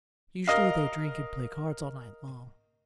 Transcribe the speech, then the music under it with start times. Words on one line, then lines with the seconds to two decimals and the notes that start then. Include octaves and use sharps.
Usually they drink and play cards all night long.
0.47 A#4 D#5 F5